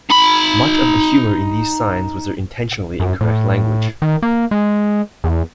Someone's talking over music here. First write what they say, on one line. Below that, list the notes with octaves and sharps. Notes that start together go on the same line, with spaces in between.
Much of the humor in these signs was their intentionally incorrect language.
D#4 B5
F#2
A2
D#3
A#3
G#3
E2